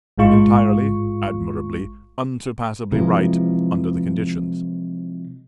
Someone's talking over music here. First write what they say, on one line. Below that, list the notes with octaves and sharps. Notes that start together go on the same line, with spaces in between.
Entirely, admirably, unsurpassably right, under the conditions.
A1 G#2 G#3 F4 C#6
C3 E3 F3 G#3